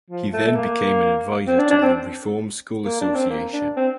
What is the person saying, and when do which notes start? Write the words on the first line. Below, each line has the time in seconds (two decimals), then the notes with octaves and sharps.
He then became an advisor to the Reformed School Association.
0.11 F3
0.33 A3
0.48 A3
0.56 A#3
1.47 C4
1.59 D4
1.71 D4
1.83 C4
2.85 A#3
3.01 D4
3.15 C4
3.30 A#3
3.53 D4
3.77 C4